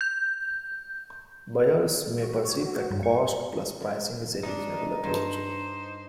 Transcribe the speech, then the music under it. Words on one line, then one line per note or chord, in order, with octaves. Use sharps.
Buyers may perceive that cost-plus pricing is a reasonable approach.
G6
F#4
C#5
F#4
G2
C#6
D4 D#4
G2 C5